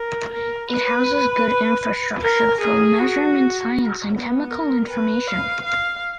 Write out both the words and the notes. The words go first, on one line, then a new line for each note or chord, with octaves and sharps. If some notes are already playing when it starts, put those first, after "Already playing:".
It houses good infrastructure for measurement science and chemical information.
Already playing: A#4
A#4
B4
A#4
G#4
F#4
B3
A#4
B4
F5
F5